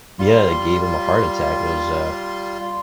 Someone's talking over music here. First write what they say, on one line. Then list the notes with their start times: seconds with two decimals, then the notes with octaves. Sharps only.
yeah, it gave him a heart attack, it was, uh
0.19 G3 F4 C6